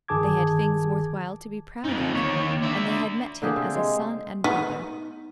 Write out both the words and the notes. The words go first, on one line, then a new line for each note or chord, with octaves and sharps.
They had things worth while to be proud of; and they had met him as a son and brother.
G1 D#3 G#4 A5 D6 G#6
F2 D#4
D#2 C#5
D4 E5
D3 A#3 G4 G#4
C3
G#3
B3 D#4